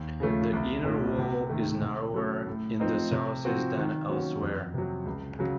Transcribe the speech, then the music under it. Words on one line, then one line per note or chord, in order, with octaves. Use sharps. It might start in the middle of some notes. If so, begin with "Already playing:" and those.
The inner wall is narrower in the southeast than elsewhere.
Already playing: D#2
C#3 F3 A3 C#4
C2
A#2 A3 C#4
C3
D#3 A3
C3
F#3 A3 C#4 A4
A2
F3 C4 D#4
C3
F3 C4 F#4
D#3
F#3 A#3 C#4 F#4
F2
C3 F#3
C#2
C#3 F#3